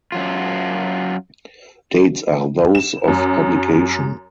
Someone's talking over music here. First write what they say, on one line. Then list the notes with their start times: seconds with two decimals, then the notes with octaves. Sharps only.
Dates are those of publication.
0.12 F#2 F#3 F4
2.75 E7
3.08 F#2